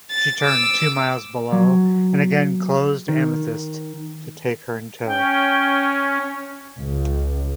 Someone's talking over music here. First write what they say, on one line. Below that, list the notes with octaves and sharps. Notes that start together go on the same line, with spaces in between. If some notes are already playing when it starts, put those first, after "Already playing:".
She turned two miles below and again closed "Amethyst" to take her in tow.
A6
D6 E6
F#3
D#3
C#4 G5
C#2